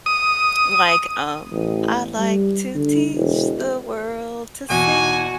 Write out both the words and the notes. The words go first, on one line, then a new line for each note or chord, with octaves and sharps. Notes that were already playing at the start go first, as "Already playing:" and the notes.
like, um, "I like to teach the world to sing
D#6
A1
G3
D3
E1
E2 B2 F#4 G#5